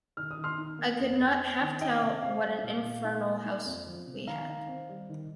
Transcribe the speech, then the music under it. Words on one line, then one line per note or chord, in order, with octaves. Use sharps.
I could not half tell what an infernal house we had.
D#3 F6
D#6
D#3
C6 F6
D#4
A#3
F2
F2
C4
D#3
D#4 D#5 G5
C3
C4 F5
G3
A#2 F5
A#2
D#4
A#3
D#4
F2
F3
C3
D#3 F5 A#5
D#3
C4
G3
D#3